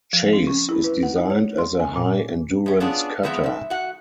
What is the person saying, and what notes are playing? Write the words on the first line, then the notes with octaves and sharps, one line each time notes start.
"Chase" is designed as a high endurance cutter.
F3
C4
C#4
E4
B4
F#5
D#4
C#5
C6
G#5
A#2
F#2 C#4
B3 C#4 D4 F4 G#4
F2 F3 G#3 B3 F#4 E5
G#2 E5
F#4 F#5